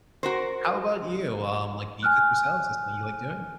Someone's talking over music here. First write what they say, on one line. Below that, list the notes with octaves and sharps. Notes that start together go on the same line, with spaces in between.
How about you, um, like do you cook yourselves? Is that something you like doing?
F#4 A#4 C5
G#5 F6 F#6